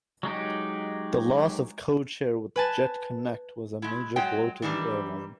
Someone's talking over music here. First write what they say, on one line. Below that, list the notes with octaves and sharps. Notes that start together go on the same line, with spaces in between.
The loss of the code-share with Jetconnect was a major blow to the airline.
F#3 G#3 D#4 G4
B4 G#5 A5
G#3 E4
F#3 G#3 G5
D#3 E3 G3 D4